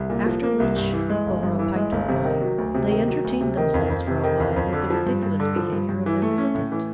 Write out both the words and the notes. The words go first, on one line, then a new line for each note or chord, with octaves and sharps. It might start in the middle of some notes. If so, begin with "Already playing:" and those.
After which, over a pint of wine, they entertained themselves for a while with the ridiculous behaviour of their visitant.
Already playing: C2
A#2
F3
A#3
C2
G2
E3
G#3
G1
G2
E3
G#3
G1
C3
D#3
F#3
D2
C3
D#3
F#3
D2
C3
D#3
F2
F2
C3
D#3
F2
F2
D3
F3
G2
G2
D3
F3
G2
G2
E3
A3
C#4
A2
E3